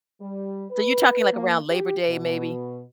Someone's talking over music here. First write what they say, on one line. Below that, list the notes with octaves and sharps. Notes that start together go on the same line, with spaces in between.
So you're talking. like, around Labor Day maybe?
G3
B4
A#3
G4
B2